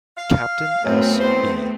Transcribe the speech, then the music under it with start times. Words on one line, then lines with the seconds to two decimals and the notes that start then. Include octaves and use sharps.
Captain S. B.
0.17 F5
0.84 F#2 A3 B3 C4
1.19 E2 C5